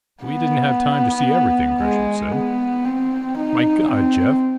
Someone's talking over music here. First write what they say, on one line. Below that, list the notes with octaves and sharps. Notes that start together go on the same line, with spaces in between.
We didn't have time to see everything," Gresham said. "My God, Jeff!
B3
G#3
B3
C4
D#4
C4